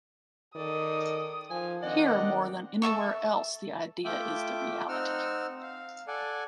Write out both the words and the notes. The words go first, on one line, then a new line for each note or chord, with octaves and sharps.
Here more than anywhere else the idea is the reality.
D#3 A4 D5 D#6
F3 G#5
D#3 C4 D4 D#5 F#5
A4 D#5 E5 C#6
A3 F4 E5 G5 D6
C4 D#4 F#5 E6 F6
F5
A4 D5 F#5 G#5